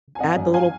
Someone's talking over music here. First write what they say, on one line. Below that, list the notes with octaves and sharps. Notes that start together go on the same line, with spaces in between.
add the little
G#5
G#1 D#5 F#5
F#2
F5 G#5